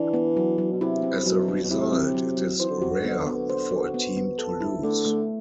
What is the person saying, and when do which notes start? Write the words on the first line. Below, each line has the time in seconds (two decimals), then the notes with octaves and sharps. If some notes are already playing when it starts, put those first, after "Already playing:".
As a result, it is rare for a team to lose.
Already playing: E3 D4
0.14 B3
0.37 F#3
0.58 F#3
0.73 B2
0.81 C3 E4
1.03 C4
1.26 B2 F#3
1.48 F#3
1.64 B2
1.70 C3 E4
1.93 C4
2.15 F#3
2.38 F#3
2.60 E3 C5
2.70 D3
2.80 C3 F#4
2.90 D3
3.05 B3
3.27 B3
3.50 C5
3.71 F#4
3.94 B3
4.17 B3
4.38 A4
4.60 E4
4.83 D3 A3
5.06 A3